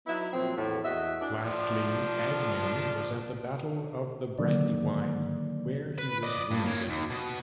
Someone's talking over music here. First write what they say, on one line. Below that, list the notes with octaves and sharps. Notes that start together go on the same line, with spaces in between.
Lastly, Agnew was at the Battle of the Brandywine, where he was wounded.
F#3 B3 D#4 E4
A#2 F3 F#3 C4
E2 A2
E2 F#4 D#5 E5
E3 D4
F3 D4
D3 D#3 F#3 A#3 D4 D5
B4
D5 D#5
G2
A#3 C#5
D#2
B2